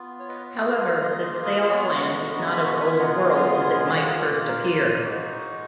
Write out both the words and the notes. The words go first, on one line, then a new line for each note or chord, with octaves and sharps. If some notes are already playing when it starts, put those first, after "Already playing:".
However, this sail plan is not as old-world as it might first appear.
Already playing: B3 F4
C#5
B4 D#5
A#3 F4 G#4 D#5
F5
D#5
F5
D#5
F5
D#5
F5
B4 D#5
G#3 B3 F#4 C#5 F5
A#5 C#6
A#5 C#6
A#5 C#6
G#5 B5
A#5 C#6
G#3 B3 F4 G#4 G#5 B5
F#5 A#5
F5 G#5
A#5
F5 G#5
A#3 F4 G#4 C#5 F5
B4 D#5
A#4
G#4
A#4
G#3 D#4 F#4